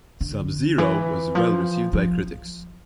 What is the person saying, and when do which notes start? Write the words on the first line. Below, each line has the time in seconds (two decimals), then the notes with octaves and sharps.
"SubZero" was well received by critics.
0.21 D3
0.78 E3
1.35 F3
1.93 F3